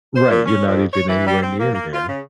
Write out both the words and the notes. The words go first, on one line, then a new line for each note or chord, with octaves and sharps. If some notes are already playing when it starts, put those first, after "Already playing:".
Right. You're not even anywhere near there.
C5
A#2
C#4
F2
C#5
E3
G3
C4
A#3
A#3
F4
C#3